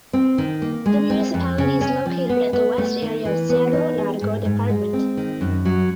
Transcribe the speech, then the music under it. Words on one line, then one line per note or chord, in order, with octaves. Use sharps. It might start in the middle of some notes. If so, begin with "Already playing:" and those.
The municipality is located at the west area of Cerro Largo Department.
C4
D#3
A#3
G#3
C4
F2
C#3
C#4
F3
B3
B3
A3
D#3
E3
B3
D#4
G#4
G#2
G#2
G#3
C4
D#3
F#2
F#3